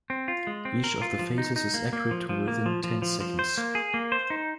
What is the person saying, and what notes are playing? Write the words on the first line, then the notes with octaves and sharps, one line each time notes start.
Each of the faces is accurate to within ten seconds.
C4
F4
G#3
C4
A#4
F4
F3
D#4
D#4
A#3
A#3
F3
F3
A#3
F3
F3
F3
F3
C5
A#3
G#4
A#3
C5
D#4